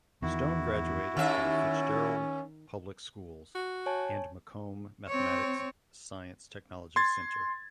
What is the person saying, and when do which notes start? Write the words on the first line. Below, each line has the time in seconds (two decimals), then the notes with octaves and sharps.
Stone graduated from Fitzgerald Public Schools and Macomb Mathematics Science Technology Center.
0.22 E2 D#3 E4 F#4
1.17 D#2 D#3 C#4 E5
3.55 F#4
3.86 C#5 G#5 A5
5.08 C4 C#5
6.96 C6 G#6 A6